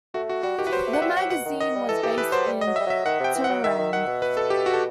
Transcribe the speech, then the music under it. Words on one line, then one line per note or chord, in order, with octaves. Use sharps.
The magazine was based in Tehran.
A3 F#4
F#4
G3 F#4
D#3 G4
E3 B4
F#3 C5
A3
F#5
G3 E5
F#3 F#5
B2 F#5
D#3
D#3 D#5
G3
E3 A4
E3 G4
E3 B4
F#3 C5
G3
D#5
F#3
E5
G3
F#3 E5
D#3 F#5
C3 G5
E3
F#5
F#3
D#3 E5
D#3
D#3 F#5
B2
B4
A4
G4
F#4
A4